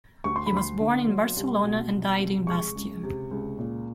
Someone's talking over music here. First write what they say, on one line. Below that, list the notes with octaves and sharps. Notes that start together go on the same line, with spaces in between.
He was born in Barcelona and died in Bastia.
D2 C#6
C6
B5
D2 C6
D3
F#3
C2
B2
B2
C2
G#3 C#6
C#2
C3
C#2
A#2